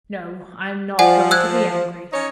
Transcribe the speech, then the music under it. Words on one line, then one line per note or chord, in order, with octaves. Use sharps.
No, I am not going to be angry.
F3 D5 F#5 G#5
E6 F#6 G#6
C#4 D#4 C#5